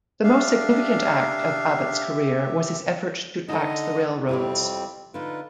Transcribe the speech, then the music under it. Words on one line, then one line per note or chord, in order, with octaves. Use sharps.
The most significant act of Abbett's career was his effort to tax the railroads.
D4 G4 E5 F5
D3 D#4 A4 D#5
F2 G3 C4 E4 G4 C#5
D3 D#4 F4 B4